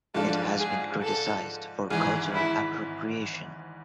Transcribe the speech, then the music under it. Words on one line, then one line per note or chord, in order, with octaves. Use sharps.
It has been criticized for cultural appropriation.
G#2 F3 G#3 D4 F4 A4
G#4
A4
G#1 G#2 E3 G#4
E4